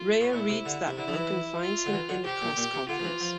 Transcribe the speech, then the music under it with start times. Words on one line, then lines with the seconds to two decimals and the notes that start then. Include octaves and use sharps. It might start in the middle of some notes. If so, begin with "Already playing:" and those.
Rhea reads that book and finds him in the press conference.
Already playing: F4
0.21 A2
0.33 A#2 E4
0.49 C3
0.65 D3
0.87 C3
0.97 D3 E4
1.08 F3
1.14 E3
1.61 F4
1.86 D3
1.93 E3
2.09 D3
2.25 C3 G4
2.41 A#2
2.57 A#2
2.73 C3
2.89 D3 F4
2.99 F3
3.05 E3
3.21 F3